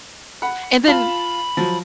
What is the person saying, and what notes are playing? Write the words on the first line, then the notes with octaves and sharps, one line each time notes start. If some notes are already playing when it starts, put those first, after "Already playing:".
and then,
F#5 B5
F4 A5 B5
F3 F#3